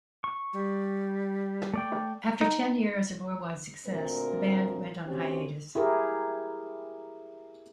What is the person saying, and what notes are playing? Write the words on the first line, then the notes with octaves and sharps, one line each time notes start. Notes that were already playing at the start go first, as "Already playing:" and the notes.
After ten years of worldwide success, the band went on hiatus.
C#6
G3
A3 D5 G5
D#4
D2 A#2 C4 A#4
D2 C4 C#4 G4
E4 G4 G#4 A#4